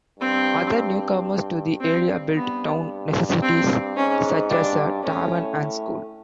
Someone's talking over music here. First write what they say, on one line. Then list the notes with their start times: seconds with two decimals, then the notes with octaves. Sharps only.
Other newcomers to the area built town necessities such as a tavern and school.
0.20 G2 C4
1.81 G2 C4
2.35 G2 B3
3.42 C4
3.96 G#2 C#4
4.50 G2 D4
5.04 A2 C#4